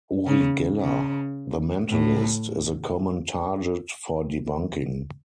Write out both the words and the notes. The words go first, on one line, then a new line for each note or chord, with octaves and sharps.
Uri Geller, the mentalist, is a common target for debunking.
C#3
C#3
A2